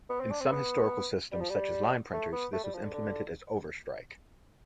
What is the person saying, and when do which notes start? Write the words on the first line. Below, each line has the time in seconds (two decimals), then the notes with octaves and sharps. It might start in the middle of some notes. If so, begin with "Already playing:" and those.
In some historical systems such as line printers this was implemented as overstrike.
0.10 B3
0.20 C4
0.31 D4
0.41 C4
0.51 B3
1.32 G3
1.40 F3
1.50 G3
2.13 A3
2.32 B3
2.53 A3
2.64 G3
2.74 F3
2.83 D3
2.93 D3